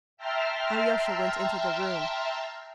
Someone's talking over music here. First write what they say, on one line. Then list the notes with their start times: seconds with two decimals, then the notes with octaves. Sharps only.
Alyosha went into the room.
0.17 E5 G5 A5 A#5 C6 F6